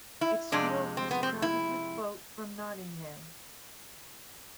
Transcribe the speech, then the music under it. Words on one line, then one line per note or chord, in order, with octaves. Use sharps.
Its field was crowded with folk from Nottingham.
E4
F2 C3 G#3 D4
C4
B3
C4
E4